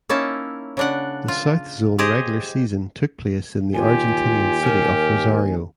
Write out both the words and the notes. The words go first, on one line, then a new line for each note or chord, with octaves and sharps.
The South zone regular season took place in the Argentinian city of Rosario.
A#3 C#4 D#4 E4 A5
C#3 D4 F#5
F4
G4 G#4 C5 D#5
D#2 F4 G4 G#5
A#4